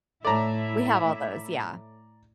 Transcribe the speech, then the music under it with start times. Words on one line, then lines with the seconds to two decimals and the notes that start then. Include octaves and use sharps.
we have all those, yeah.
0.25 A2 E4 A4 C#5 D5 E5 A5 A#5